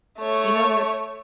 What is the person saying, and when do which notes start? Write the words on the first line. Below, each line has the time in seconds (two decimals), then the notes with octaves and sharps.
You know what
0.19 A3 C#5